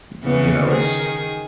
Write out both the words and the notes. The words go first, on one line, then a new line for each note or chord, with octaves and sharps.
Y you know, it's
C#3 E3 B3
D#3 G#4